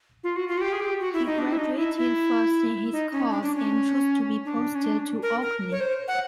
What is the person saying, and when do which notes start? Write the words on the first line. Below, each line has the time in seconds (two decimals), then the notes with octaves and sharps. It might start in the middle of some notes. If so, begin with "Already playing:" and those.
He graduated first in his course and chose to be posted to Orkney.
0.24 F4
0.36 F#4
0.48 F4
0.57 F#4
0.61 G4
0.73 G#4
0.80 G4
1.00 F#4
1.13 E4
1.26 D#4
1.38 D4
1.52 E4
1.57 D#4
1.76 E4
1.96 E4
2.92 D#4
3.12 C#4
3.30 D4
3.43 D4
3.56 C#4
4.45 D4
4.75 C#4
4.84 D4
5.23 A#4
5.42 A#4
5.72 C#5
5.80 C5
6.08 F#5